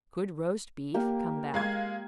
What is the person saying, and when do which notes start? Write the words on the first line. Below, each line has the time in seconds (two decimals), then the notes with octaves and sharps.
Could roast beef come back?
0.94 A#3 G4
1.54 G#3 F5 G#6